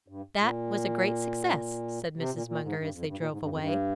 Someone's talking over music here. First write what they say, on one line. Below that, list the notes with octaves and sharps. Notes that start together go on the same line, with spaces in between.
"That was a great success," said Mrs. Munger, as they drove away.
G2
A#2
C3
A#2
A#2
G#2
G2
F2
G2
A#2
G#2
G2
F2
G2